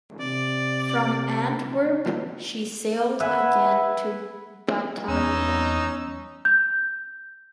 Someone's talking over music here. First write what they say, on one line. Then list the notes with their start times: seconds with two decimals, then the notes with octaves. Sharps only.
From Antwerp she sailed again to Batavia.
0.20 C3 D5
3.20 B4 E5 F#5 G#5
5.08 E2 B3 C#4 D#4 E6
6.45 G6